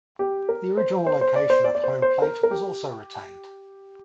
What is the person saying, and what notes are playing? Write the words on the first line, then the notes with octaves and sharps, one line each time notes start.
The original location of home plate was also retained.
G4
A#4
C5
C5
C5
D5
C5
D5
D5
C5
C5
A#4
A#4
G4